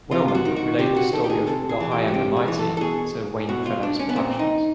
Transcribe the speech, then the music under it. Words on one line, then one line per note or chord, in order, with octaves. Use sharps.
Wellman relayed the story of "The High and the Mighty" to Wayne-Fellows Productions.
C3 F4
F4
F#4
D#3
F#4
C3 G4
F#4
D#3 A4
G4
G#4
C3 A4
G#4
E3
G4
F#4
C3 G4
G#4
E3
A4
A4
B2 G#4
B2 F#4
F4
D4
C#4
B3
A#2 C4
D#4